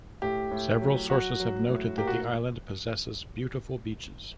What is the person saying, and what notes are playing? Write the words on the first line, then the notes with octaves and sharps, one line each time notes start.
Several sources have noted that the island possesses beautiful beaches.
A2 G4
A2
F#3
F#3 F#4
F#3
A2
A#3 G4
F#4